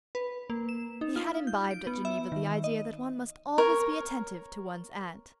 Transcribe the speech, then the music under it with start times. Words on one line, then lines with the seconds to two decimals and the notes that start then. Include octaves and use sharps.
He had imbibed at Geneva the idea that one must always be attentive to one's aunt.
0.15 B4
0.50 A#3
0.69 E7
1.01 D#4
1.16 F4
1.47 G6
1.71 D7
1.87 B3
2.05 E5
2.32 D#3
2.64 D#5
3.58 A#4 C#5